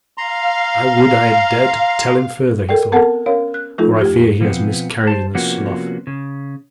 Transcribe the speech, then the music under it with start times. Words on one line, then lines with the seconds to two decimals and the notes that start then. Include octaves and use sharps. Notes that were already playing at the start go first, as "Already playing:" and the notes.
"I would I had dared to tell him further," he thought; "for I fear he has miscarried in the slough."
0.18 F5 A#5 C6
2.69 A4 A#4 D5 G5
2.92 B3 C4 A4 A#4 F#5 A5
3.26 C#4 A#4 C#5 F5
3.54 F#6
3.78 F3 A3 D#4 F4 A4
4.01 F2 G4
4.41 B2 F3 B3 C4
5.07 C5 A5
5.35 C3 F3 A#3 B3 C#4 F#4
6.07 C#3